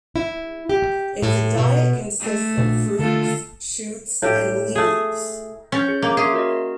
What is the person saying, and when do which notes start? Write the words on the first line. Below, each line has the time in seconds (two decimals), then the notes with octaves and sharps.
Its diet consists of fruits, shoots and leaves.
0.16 E4
0.69 G4
1.22 A2
1.57 B2
2.20 A3
2.57 A#2 D4
2.99 D3 A3 F4 A4
4.22 A2 G4
4.75 A3 G#4
5.72 C#4 C#5 G6
5.88 G#4
6.02 A#3 D6
6.17 G#4 C#5 E5 C6
6.33 F#4 A#4 D#5